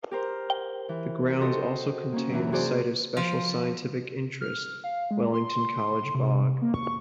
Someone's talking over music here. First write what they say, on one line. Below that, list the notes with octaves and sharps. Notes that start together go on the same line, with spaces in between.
The grounds also contain a Site of Special Scientific Interest, Wellington College Bog.
G4 A#4 C5
E3
F#4 G4 A4 C5 D#5 C6
A#3 C#4
F#2 C3 E3
C3 F#4 G#4 C5 D5
F3
F6
F5
G#3
C6
C3
A#3
C#6